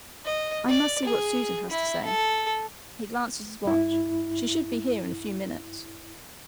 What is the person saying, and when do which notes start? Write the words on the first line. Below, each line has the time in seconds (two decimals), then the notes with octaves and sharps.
"I must see what Susan has to say"; he glanced at his watch; "she should be here in a few minutes."
0.25 D#5
0.68 D5
1.05 G#4
1.70 E4
2.05 A4
3.65 G2 E4